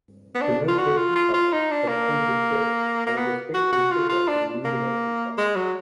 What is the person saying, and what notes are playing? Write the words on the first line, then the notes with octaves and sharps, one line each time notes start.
The notochaetae have pointed tips and are distinctly thicker than the neurochaetae.
B3
D4
F4
F#4
F4
F4
F4
D#4
D4
A#3
A#3
B3
F#4
F#4
F4
F4
D4
A#3
G#3
F#3